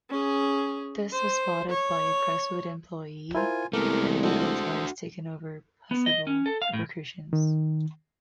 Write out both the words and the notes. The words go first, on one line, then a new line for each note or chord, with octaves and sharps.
This was spotted by a Crestwood employee, and legal advice taken over possible repercussions.
C#4 G#4
C5
C#5
E4 F4 A#4 C5 G#5
C2 E3 G#3 A3 B3 A4 A#4 D6
G#3 A3 D4 F#4 A4 C5 D#6
B3
D#5
C#4
A4
F5
A2
D#3